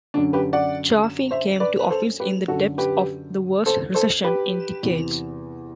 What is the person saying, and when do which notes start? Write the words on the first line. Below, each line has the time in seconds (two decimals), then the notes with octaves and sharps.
Chafee came to office in the depths of the worst recession in decades.
0.14 F#2 D3 D4
0.33 G4 B4
0.53 D5 F#5
1.31 C5 E5
1.60 B4 D5
1.79 B4
1.90 A4 C5
2.20 G4 B4
2.48 F#2 D3 F#4 A4
2.78 G4 B4
3.66 A4 C5
3.95 A4 C5
4.24 G4 B4
4.83 E2 C3 E3